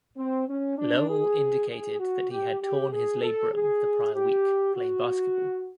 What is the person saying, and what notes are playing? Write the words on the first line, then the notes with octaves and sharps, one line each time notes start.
Lowell indicated that he had torn his labrum the prior week playing basketball.
C4
C#4
D4
G#4
G#4
F#4
G4
G4
G#4
A4
G#4
G4
F#4